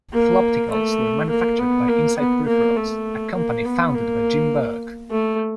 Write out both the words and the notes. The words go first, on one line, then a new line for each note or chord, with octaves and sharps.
Flopticals were manufactured by Insite Peripherals, a company founded by Jim Burke.
A#3
A3
A#3
B3
A#3
B3
A#3
A3
A#3
B3
A#3
A3